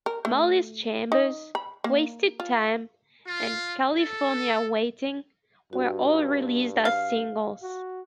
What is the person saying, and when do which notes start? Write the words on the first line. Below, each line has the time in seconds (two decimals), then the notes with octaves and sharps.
"Molly's Chambers," "Wasted Time" and "California Waiting" were all released as singles.
0.06 A#4
0.25 A3
1.12 D#4
1.55 B5
1.84 A#3
2.40 F4
3.27 F4
3.98 A4
5.73 G2 F#4
6.85 F5
7.62 F#4